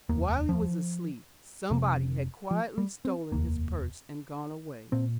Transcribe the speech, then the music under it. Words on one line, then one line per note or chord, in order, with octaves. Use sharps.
While he was asleep, somebody had quietly stolen his purse and gone away.
F1 D#2 A#3
F3
F1 F2 C3
F3
G3
C4
F1 D#2 A#3
A#2 C4